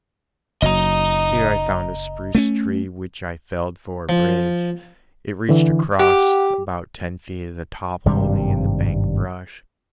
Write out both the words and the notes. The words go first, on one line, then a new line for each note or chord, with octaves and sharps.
Here I found a spruce tree which I felled for a bridge; it reached across, about ten feet of the top holding in the bank brush.
F#1 F#3 D#5 A#5
A3 A#3 C#4
F3
D3 E3
G4 F#5
G#1 G2 C3 G3